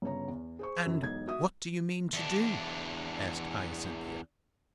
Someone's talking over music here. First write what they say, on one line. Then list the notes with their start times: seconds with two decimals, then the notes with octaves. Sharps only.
'And what do you mean to do?' asked Hyacinthia.
0.02 G1 C#3 C#5 A#5
0.28 E2
0.59 G#4 C5 C#6
0.86 F#2
1.01 E1 B1 D#4 G#6
1.27 F#4 E5 D#6
2.13 E2 D4